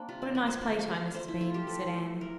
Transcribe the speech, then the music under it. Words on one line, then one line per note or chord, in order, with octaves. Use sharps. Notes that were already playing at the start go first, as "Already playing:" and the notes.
"What a nice play-time this has been," said Anne.
Already playing: A#3 C4 D4
C3 F4
D5
F3 A#3 D5
C5
D3 D5
F5
F3 A3
F5
E3 C5
E4
A3 F4
G4
E3 A4
A3
E3 A#4